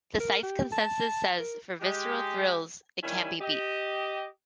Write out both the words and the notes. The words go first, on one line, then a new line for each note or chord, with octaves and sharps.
The site's consensus says, For visceral thrills, it can't be beat.
A#4
G4
A5
A#4
G#3 G4
D#3 G3 C#4 E4 G#5
G4 D#5